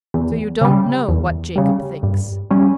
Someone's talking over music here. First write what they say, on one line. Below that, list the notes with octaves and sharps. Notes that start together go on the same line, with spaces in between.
"So you don't know what Jacob thinks?"
E2
C#3 G3
E2
C#3 G3
G2
G3 C#4